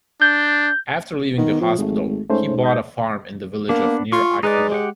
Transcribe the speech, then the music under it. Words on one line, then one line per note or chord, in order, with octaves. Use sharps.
After leaving the hospital, he bought a farm in the village of Nir Akiva.
D4 G6
D#3 B3
F3
G#1 G#3 A3
G#2 A3 C#4 C5
D#5 G6
A#3 B3 D4
F4 C#6
G#3 D#4 B4 D5
G4 F#5